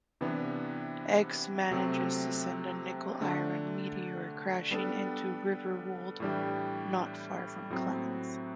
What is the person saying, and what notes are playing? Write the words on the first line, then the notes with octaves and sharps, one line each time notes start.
X manages to send a nickel-iron meteor crashing into Riverwold, not far from Clemens.
C3 E3 B3 D4
C3 F#3 A3 C4
D3 A3 D4
G3 B3 D4 A4
A2 E3 G3 D4 G4
A2 F#3 C4